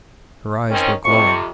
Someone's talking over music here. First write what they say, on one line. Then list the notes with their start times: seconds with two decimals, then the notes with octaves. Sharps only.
Her eyes were glowing.
0.70 D#3 C4 C#4
1.05 F2 C3 C#6